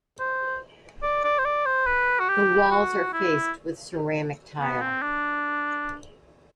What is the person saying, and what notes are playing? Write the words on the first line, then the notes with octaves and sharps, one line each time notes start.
The walls are faced with ceramic tile.
C5
D5
D5
C5
D5
C5
B4
F#4
G4
F#4
E4
B3
C4
D4